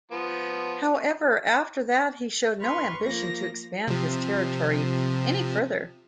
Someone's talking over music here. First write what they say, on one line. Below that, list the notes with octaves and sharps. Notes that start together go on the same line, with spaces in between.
However, after that he showed no ambition to expand his territory any further.
F3 B3
B4 C6 C#6 F6
F3 A#3 A#6
C3 F3